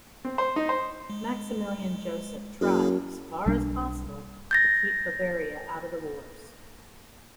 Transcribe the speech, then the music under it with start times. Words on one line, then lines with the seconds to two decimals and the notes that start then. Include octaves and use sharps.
Maximilian Joseph tried, as far as possible, to keep Bavaria out of the wars.
0.25 C4
0.38 C5
0.56 D#4
0.69 C5
1.10 G#3
2.61 F#2 A#3 E4 G#4
3.46 B1 G3 D4
4.51 G6 A6 A#6